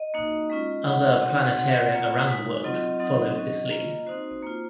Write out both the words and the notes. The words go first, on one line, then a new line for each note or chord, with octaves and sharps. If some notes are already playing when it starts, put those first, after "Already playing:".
Other planetaria around the world followed this lead.
Already playing: D#5
A#3 D#4 F#4
G#3 C#4 F4
G#3 D#4 F#4 F#5
C4 D#4 F#4
C4 F#4 F#5
A#3 F4
G#3 D#4 F#4 G#5
F#3 C4 F4 D#5
F#3 C4 D#4
F#3 C#4 F#4 D#5
A#3 F4
C4 D#4 F#4 C5
A#3 F4